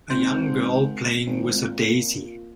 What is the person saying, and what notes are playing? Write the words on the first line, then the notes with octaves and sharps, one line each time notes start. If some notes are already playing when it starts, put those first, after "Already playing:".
A young girl playing with a daisy.
G#1 C4
G#1
A#2